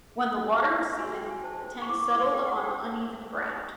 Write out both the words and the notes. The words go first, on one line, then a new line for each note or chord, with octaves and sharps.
When the water receded, the tank settled on uneven ground.
G#4
D#4
A4
F4
F#4 G#5
G5
F#4
G#5
C5 A5
C5
C#6
E4 D6
D6
E4 D6
C#6
G#4 G5
F#5
C5
G5